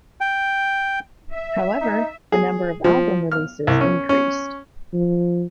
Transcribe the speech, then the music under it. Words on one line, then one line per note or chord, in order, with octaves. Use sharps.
However, the number of album releases increased.
G5
E5
D#4
G#4
F3
F6
C2
C#4
C#4
F3